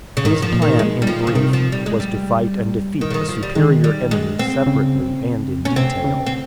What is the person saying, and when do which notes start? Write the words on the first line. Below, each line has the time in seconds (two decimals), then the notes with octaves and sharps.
His plan, in brief; was to fight and defeat a superior enemy separately and in detail.
0.17 C#3
0.25 G#2 D#3
0.42 F3
0.53 A#2
0.62 D#3
0.79 G#3
1.02 G3
1.07 F3
1.27 C#3
1.35 C3 D#3
1.53 F3
1.72 G3
1.86 G#3
2.00 G3
3.01 D#3
3.10 C#3
3.14 D#3
3.28 F3
3.43 G3
3.55 D#3 G#3
3.84 G3
4.11 G#3
4.39 C4
4.67 C#3
5.65 C#4
5.76 C3 C4
6.04 C#3
6.27 C4